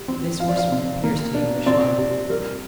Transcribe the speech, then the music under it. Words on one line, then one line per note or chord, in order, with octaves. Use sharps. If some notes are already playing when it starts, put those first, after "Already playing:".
This horseman had pierced the English lines.
Already playing: G3
C4
F3 F5
D5
F5
C4
A#3
D4
C4 D5
C3
G3 A#4